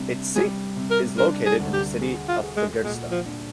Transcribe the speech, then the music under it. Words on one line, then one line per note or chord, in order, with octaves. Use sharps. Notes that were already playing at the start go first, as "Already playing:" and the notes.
Its seat is located in the city of Fagersta.
Already playing: C3 G3 D4
G3 G#4
C3
A#4
D4 A#4
G#4
D2
G4
G#4
F4
G#4
G#3
A#2 G#3
F3
D4